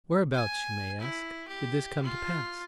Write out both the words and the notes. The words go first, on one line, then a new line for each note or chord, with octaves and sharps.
Whereabouts, you may ask, did this come to pass?
G#5
E4
G4
F4